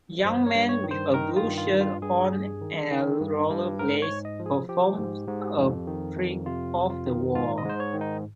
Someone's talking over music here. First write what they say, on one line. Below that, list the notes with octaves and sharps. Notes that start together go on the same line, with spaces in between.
Young man with a blue shirt on and rollerblades performs a trick off the wall.
G2 C5
C#5
G2
C#5
D#3
C5
D#3 A#4
F4
G2
F4
G2
F4
G2 G#4
G2
D#3
D#3
G2
G2
G#2 A#4
C#5
G#2
D#5
F3
G#4
F3 G4
G#2
G#2
F2
D#3
F2
C3 F4
F2
F4
D#3
G#2 F4
D#5
G#2 C5
C#5
D#3
D#4